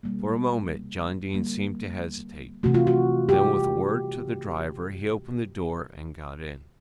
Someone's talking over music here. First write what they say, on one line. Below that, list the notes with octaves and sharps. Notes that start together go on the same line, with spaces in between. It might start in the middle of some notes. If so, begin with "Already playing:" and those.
For a moment John Dene seemed to hesitate, then with a word to the driver he opened the door and got in.
B2 G3 A#3
D3 G3 A#3
C3 E3 A3 F#4
F4
F#4
G4